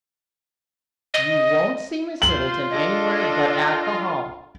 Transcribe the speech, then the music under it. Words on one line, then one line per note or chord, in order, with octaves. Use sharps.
"You won't see Miss Middleton anywhere but at the Hall."
D#5
F4 C5 C6 F#7
D4 A4 D#5